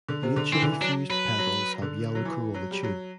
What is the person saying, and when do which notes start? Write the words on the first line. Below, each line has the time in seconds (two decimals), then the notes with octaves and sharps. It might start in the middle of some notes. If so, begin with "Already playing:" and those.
Mutually fused petals have yellow corolla tube.
0.08 D3
0.23 C3
0.36 D3
0.53 E3 C4
0.62 D3
0.72 E3
0.81 F#3 D4
1.10 F#3 B4
1.39 F#3
1.82 D3
2.15 F#3
2.25 E3
2.54 F#3
2.71 G3
2.83 F#3